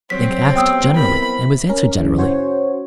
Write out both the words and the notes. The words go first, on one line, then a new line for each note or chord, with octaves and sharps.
Link asked generally, and was answered generally.
F#3 G3 C4 C#5 B6
B3 F4 D#5 G5 D#6 E6
C4 E4 A#4 B5
C#4 A#4
F#2 C#3 E3
C#4 F#4 C5 C#5